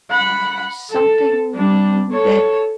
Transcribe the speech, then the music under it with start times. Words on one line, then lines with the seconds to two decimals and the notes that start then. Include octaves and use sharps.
something that
0.11 F#5 B5
0.90 A4
1.54 G3 D4
2.12 A4 C#5